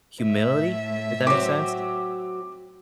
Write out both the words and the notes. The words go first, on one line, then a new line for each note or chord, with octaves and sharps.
humility, if that makes sense?
A2 E5
F#3 C4 D6